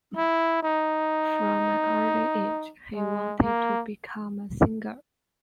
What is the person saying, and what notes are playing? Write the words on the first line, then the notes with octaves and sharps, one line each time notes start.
From an early age, he wanted to become a singer.
E4
D#4
G#3
A#3